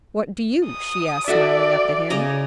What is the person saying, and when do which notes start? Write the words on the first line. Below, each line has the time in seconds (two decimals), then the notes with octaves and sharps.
"What do you?" she asked, smiling up at him.
0.67 D#6
1.28 F#4 A4 D5 E5
2.10 C#3 D#5 A#5